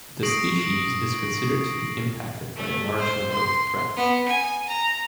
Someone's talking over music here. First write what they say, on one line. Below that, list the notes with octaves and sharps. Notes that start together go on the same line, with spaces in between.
The species is considered to be impacted by a large number of threats.
C#6 D#6 A#6 C7 D7 F#7
A3
C5
C6
B3
G#5
A#5